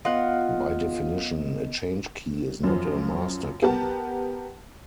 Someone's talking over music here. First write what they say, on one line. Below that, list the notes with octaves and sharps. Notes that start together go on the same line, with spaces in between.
By definition, a change key is not a master key.
B3 F4 D#5 F#5
F#2 F3
B3 G4 A#4 F#5 A5